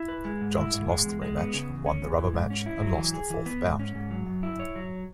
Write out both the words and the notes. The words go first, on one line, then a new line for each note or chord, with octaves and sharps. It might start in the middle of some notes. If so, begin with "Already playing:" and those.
Johnson lost the rematch, won the rubber match and lost the fourth bout.
Already playing: E4
B4
G#3
G#2
E4
G#2
G#3
E2
G#3
B3
C#3
E2
C#4
E2
E3
G#2
C#4
E4
F#3
E3
G#4
E3
B3
G#2
C#4
G#2
F#3
F#2
E4
C#5
F#3